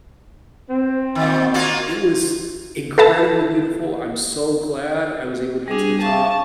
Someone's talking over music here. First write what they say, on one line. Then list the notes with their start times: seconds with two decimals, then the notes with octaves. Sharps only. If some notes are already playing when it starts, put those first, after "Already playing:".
Uh, it was incredibly beautiful. I'm so glad I was able to get to the top,
0.69 C4
1.15 D#3
1.54 A#3 F4 F#4
2.98 A4 B4 E5 A5
5.68 G3 D4 G#4
6.02 F5 A5 C#6